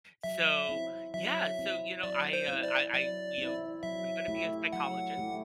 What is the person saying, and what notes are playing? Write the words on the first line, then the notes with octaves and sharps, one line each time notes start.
So, yeah, so, you know, I, uh, I I you know, I'm gonna be a psychologist.
F#3 E5
C4 E4
F#3 E5
C4 E4
F#3 D5
C5
C4 E4
D5
F#3 D5
C4 E4
F#3 E5
A3 E4 G4
F#3 F#5
A3 E4 G4